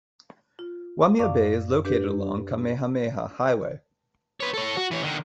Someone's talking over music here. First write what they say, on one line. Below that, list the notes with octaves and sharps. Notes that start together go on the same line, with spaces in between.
Waimea Bay is located along Kamehameha Highway.
F4
F#2 D5 F5 C#6 D6
D4 G4 B4
B4 C#5
A4 C#5
F#4
E3 C#5
D3 D#3